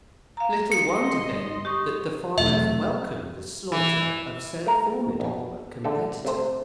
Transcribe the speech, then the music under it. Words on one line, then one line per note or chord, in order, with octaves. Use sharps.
Little wonder then, that the farmers welcome the slaughter of so formidable a competitor!
F5 A#5
G1 D#5 C6 C#7
G4 C#6 D#6
E1 C3 F#3 A3 E5
E3
A3 A#4
A#1 B2
D3 A3 A4
C3 A3 C5